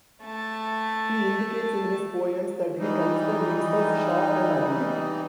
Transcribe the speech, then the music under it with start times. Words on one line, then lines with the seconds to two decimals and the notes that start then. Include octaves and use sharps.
He indicates in his poems that he considered himself short and ugly.
0.24 A3 A5
2.79 E3 G3 D#4